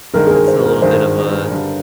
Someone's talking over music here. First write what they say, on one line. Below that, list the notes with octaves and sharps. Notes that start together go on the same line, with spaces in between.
That's a little bit of a,
G#1 G2 D#3 G#3 A#4
G#4
A#4
C5
A#4
G#1 G2 D#3 G#3 C5
G2 D3 G3 D4